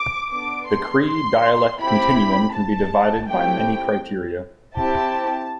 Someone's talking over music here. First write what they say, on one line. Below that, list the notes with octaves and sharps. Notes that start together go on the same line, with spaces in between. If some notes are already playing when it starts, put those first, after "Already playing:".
The Cree dialect continuum can be divided by many criteria.
Already playing: D6
B3 D4 A4 D6
C6
C6
C4 E4 G4 B5
A5
A3 C4 E4 G4 G5
C4 E4 G4 A5